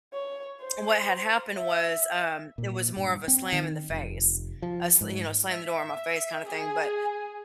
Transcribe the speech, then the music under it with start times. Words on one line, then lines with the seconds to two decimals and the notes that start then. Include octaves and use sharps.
what had happened was, um, it was more of a slam in the face. A s you know, slam the door in my face kinda thing, but,
0.13 C#5
0.61 C5
1.57 E5
2.58 A#2
2.97 G2
3.28 C4
3.52 D#3
3.90 F1
4.62 F3
5.01 G#2
5.50 E5
6.45 G#4